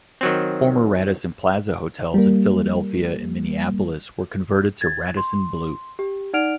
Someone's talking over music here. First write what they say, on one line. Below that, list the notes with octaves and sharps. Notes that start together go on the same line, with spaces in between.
Former Radisson Plaza hotels in Philadelphia and Minneapolis were converted to Radisson Blu.
D#3 F#3 C4
G3 A#3
G#6 A6
C6
G4
D#4 D5 F#5 F6 D7 F7